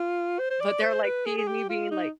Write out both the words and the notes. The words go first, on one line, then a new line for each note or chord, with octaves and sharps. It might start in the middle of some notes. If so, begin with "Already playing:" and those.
But they're like seeing me being like
Already playing: F4
C5
C5
D5
C5
B4
G#4
G#4
G4
F4
D#4